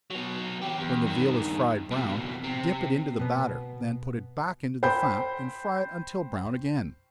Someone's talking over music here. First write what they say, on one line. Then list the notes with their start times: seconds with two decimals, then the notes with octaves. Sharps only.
When the veal is fried brown, dip it into the batter, then put it back into the fat, and fry it until brown again.
0.10 F#3 B3
0.62 F#3 G4
0.79 E2
1.07 G2 D#3
1.91 F2 B2
2.44 C3
3.20 B2 B3
4.83 C5 G5 B5 G6